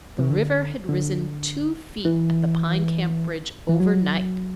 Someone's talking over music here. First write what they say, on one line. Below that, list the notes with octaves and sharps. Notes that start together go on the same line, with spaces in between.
The river had risen two feet at the Pine Camp bridge overnight.
C3
D3
D3
E3
E3
F#3